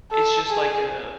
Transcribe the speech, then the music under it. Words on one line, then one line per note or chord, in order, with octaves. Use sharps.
it's just, like, a
A4
G#4